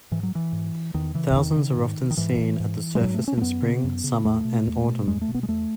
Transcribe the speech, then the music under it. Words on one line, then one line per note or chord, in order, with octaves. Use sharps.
Thousands are often seen at the surface in spring, summer, and autumn.
G#2 E3
F#3
E3
G#2
E2 D#3
C#3 E3
E2 D#3
C#3
G#2
D#3
G#2 E3
G#2
G#3
G#2 F#3
A3
C#4
A3
F#2 B3
C#3
F#2
C#3
E2 A3
B2
E2
B2
E2 G#3
A3
B2
B3
G#3
E2 A3